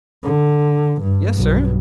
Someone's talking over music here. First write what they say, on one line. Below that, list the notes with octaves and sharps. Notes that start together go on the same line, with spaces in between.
"Yes, sir."
D3
G2
B1 G2